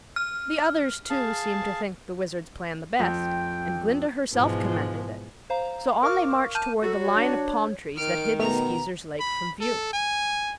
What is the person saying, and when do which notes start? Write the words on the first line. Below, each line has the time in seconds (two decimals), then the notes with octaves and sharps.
The others, too, seemed to think the Wizard's plan the best, and Glinda herself commended it, so on they marched toward the line of palm trees that hid the Skeezers' lake from view.
0.16 F6
1.10 G#4 F5 A5
2.99 F2 G5
4.33 G#2 B2 E3 F3 G#3
5.50 C5 F5 A#5
6.03 A#4 F5 C#6 D6 F6
6.55 A5 F6 G6 D#7
6.82 F#3 F#4 A4
6.98 C#5
7.16 D4
7.96 D#3 F6 D7
8.40 B2 A3 B3 A#5 F7
9.20 B5
9.61 A4
9.93 G#5